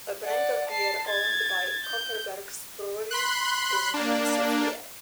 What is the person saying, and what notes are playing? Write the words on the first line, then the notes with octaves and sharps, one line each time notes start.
A brand of beer owned by Kopparbergs Brewery is named "Sofiero".
D5 F#5
A5 C7
G#6 A6
G6
B5 C6 F#6
A#3 D4